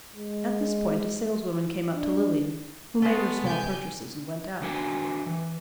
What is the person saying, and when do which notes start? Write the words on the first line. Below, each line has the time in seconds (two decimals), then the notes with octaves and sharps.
At this point a saleswoman came up to Lilian, who made her small purchases and went out.
0.15 G#3
1.61 E4
1.96 D4
3.02 G#3 A3 B3
3.44 C2 G4 G#5 G6
4.61 D#3 D4 F#4 A#4 G5 G#5
5.26 E3